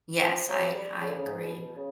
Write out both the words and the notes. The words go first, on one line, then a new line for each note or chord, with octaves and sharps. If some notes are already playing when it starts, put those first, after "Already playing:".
Yes, I I agree.
F3
F#3
G3
C#3
D3
C#3
G#2
B2
B2
C#3